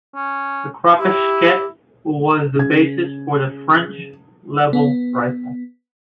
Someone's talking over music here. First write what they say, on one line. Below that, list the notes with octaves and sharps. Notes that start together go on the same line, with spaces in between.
The Kropatschek was the basis for the French Lebel Rifle.
C#4
E4 G4
C#3 G#6
B3